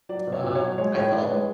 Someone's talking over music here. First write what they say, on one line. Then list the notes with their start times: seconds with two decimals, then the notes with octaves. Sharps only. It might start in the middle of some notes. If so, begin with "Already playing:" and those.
Um, I felt
0.09 F#3 D5
0.27 B2
0.33 C#5
0.44 B2
0.55 C#5
0.61 F#3
0.78 G#3 C#5
0.95 A2 C#5
1.12 A2 D5
1.23 B4
1.30 G#3 C#5